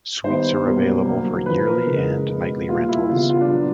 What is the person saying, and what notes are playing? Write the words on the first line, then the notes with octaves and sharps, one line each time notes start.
Suites are available for yearly and nightly rentals.
D#3 G3 B3 C5
B2 G3 A#3
D3 F#3 A#3
A#2 F3 A#3 B4
A#4
C#3 E3 G#3
B2 G#3 B3
A#2 G3 A#3 F4
E4
C#3 E3 G3 B3 F4
F4
D4
A#2 F#3 B3